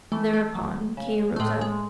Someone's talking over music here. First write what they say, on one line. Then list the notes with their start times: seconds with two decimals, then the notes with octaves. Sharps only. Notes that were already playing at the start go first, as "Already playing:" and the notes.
Thereupon Kay rose up.
0.12 E3 A3
0.34 A3
0.55 F#3
0.97 C#3
1.36 A3
1.40 A2 G#3
1.61 G#3